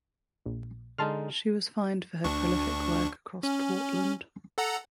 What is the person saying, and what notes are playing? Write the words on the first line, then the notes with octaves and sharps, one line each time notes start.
She was fined for her prolific work across Portland.
A#1
D3 G#3 D#4 A5 C6 F6
D2 D4 C#6
C#4
A4 F#5 A#5